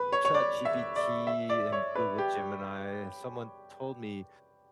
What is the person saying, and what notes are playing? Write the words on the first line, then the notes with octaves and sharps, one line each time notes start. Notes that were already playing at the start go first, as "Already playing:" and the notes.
ChatGPT and Google Gemini, someone told me
Already playing: B4
C#5
C#5
D5
E5
D5
E5
D5
C#5
B4
G4